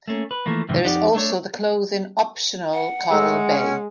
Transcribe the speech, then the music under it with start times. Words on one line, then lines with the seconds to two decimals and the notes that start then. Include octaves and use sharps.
There is also the clothing-optional Coral Bay.
0.08 A3 A#3 C#4
0.31 B4
0.46 E3 F3 A3 A#3
0.69 F2 G#2 C3 D#3 E3
0.85 F2 D#4 G4 D5 F#5
1.15 A3 D4 C#5
2.74 F#5
3.10 A2 G#3 A3 E6
3.49 C#4